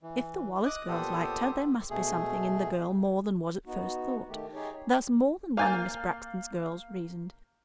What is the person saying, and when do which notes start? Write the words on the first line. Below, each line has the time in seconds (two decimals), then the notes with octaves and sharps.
If the Wallace girls liked her, there must be something in the girl more than was at first thought--thus more than one of Miss Braxton's girls reasoned.
0.03 E3
0.65 D#5 D6 D#6 F#6
0.88 A#2 B3 G4 A4 C5 D#6
1.90 B2 A3 G#4
3.66 B3 D#4 F#4
4.28 D#3 A3 G4
4.54 D#4 G4 G#4 C#5
5.57 A#3 F5 G#5 G6 A6